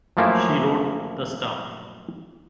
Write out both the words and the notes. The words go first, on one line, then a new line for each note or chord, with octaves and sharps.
She wrote the stuff.
F#2 F3 A3 A#3 C#4 E4